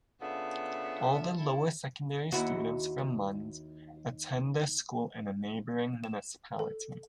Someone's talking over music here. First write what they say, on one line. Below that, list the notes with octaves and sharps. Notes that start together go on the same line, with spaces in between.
All the lower secondary students from Mund attend their school in a neighboring municipality.
C#3 B3 D4 F4 A4 E5
E4 A4
D#2 E4 F#4
E7
A4